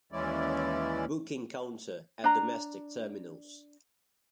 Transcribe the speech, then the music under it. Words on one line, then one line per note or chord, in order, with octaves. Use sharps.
Booking counter at domestic terminals.
D#2 E3 G#3 C#4 E4 D5
D4 A#5